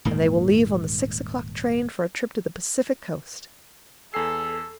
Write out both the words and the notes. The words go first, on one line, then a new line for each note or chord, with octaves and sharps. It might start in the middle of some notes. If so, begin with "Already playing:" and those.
And they will leave on the six o'clock train for a trip to the Pacific coast.
D#1 G#2 A#3
E2 A4 G#5 E6 C7